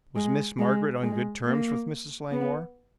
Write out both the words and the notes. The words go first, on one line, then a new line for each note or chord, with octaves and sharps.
"Was Miss Margaret on good terms with Mrs. Langmore?"
G#3
G#3
G#3
A#3
B3